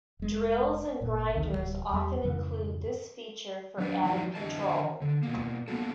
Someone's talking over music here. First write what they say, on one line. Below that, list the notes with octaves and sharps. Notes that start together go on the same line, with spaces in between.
Drills and grinders often include this feature for added control.
F1 G#3
G1 A#2
G#1 D2 C3 D#3
D1 D#2 E3 G3
E2 G3
F2 G#2 C#3 E3
F#3 D4 B4
F3 F#3 D#4 E4 D5
D3 E3 D#5 A5
D3
B2 A#3
A#3 B3 F#4 A4